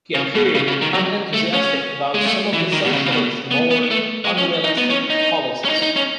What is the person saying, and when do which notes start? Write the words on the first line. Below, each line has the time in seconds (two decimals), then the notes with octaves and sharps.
He appeared unenthusiastic about some of the Socialists' more unrealistic policies.
0.15 C#3
0.35 B2
0.55 C#3
0.68 C#3
0.82 D#3
0.94 F#3
1.33 A3
1.54 C#4
2.15 G#3
2.26 A3
2.53 E3
2.72 D#3
2.85 B2
2.93 C#3
3.06 C#3
3.12 B2
3.51 B3
3.71 B3
3.91 A3
4.25 G#3
4.38 C#4
4.64 D#4
4.78 B3
4.90 C#4
5.10 D#4
5.65 C#4
5.69 D#4
5.83 D#4
5.96 C#4